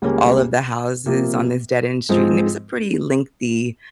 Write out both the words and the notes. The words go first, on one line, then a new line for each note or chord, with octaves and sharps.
all of the houses on this dead-end street, and it was a pretty lengthy,
C#2 C#3 G3 A#3 C#4
C3 F3 A#3
G#2 F3 G#3 C4